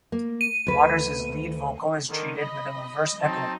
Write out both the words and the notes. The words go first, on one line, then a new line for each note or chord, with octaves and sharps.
Waters's lead vocal is treated with a reverse echo.
A#3
D#7
D2 B4
D3 D#3
D#5 B5
F#3 C4 D#4 A5